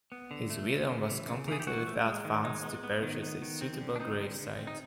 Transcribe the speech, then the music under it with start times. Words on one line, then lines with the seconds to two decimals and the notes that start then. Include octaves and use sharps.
His widow was completely without funds to purchase a suitable gravesite.
0.12 B3
0.31 D3
0.50 A3
0.70 C#3
0.89 C#3
1.09 E3
1.28 C#3
1.48 E3 G#4
1.60 G4
1.67 E3 F#4
1.87 A3
2.06 G#3
2.25 D#3
2.44 G#3 D#4
2.63 B3
2.84 B3
3.03 D#3
3.22 B3
3.42 D#3
3.61 C4
3.81 D3
3.96 D4
4.00 C4 D#4
4.19 D3
4.39 D3
4.59 C4
4.67 D#4